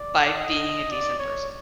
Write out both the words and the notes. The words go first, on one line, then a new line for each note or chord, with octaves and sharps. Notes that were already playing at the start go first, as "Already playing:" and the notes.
by being a decent person.
Already playing: D5
D#5
D5
C#5